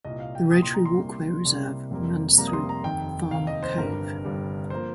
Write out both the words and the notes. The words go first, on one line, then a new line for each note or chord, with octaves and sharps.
The Rotary Walkway Reserve runs through Farm Cove.
C2 A#2 A#3 D#5
F5
G5
C2 A#2 A#3 D#6
C6
A#5
C6
C2 C3 G3 A#3
C2 C3 G3 A#3
F1 F2 C3 G3 A#3
F1 F2 C3 G3 A#3 A#5
D#6
C6
A#5
F1 D#2 D#3 G5
F1 D#2 D#3 F5
D#5
C5
G1 G2 G3 A#4
G1 G2 G3
F3 A#3 C5